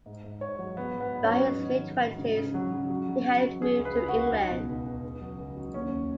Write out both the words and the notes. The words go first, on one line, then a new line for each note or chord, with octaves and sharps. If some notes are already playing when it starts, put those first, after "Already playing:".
By his mid-twenties he had moved to England.
G#2
G#2
G#2 C#5
F#3
F#3 B3
G#2
B3
G#2
C#4
F#3
F#3 D#4
D#3
F#3
G#2
C#3
C#3
F#3
C#3
F#3
F#3
F#3
F#3
F#3 G#4
C#2
B4
C#2
F#4
C#2
C#2 D#4
B2
C#2
C#2
C#2
F#3
C#2
F#3
D#2 C#4